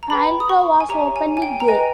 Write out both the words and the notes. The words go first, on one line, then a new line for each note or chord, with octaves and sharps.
Polito was openly gay.
A#5
G#4 B4 G5 B5
D#6
C#6
G#5
G4 C#5 E5 A#5
G#5
G#5
G5
A#5
B4 D#5 G5 G#5